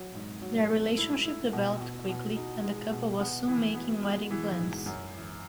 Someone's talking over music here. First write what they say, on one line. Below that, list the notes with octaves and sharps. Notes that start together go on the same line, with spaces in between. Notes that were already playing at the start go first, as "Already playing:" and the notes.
Their relationship developed quickly, and the couple was soon making wedding plans.
Already playing: F#3
G#2
F#3
A3
E4
E4
B2
B2
B2
D#4
G#3
B2
B3
E3
B3
G#3
E3
G#2
F#2
E3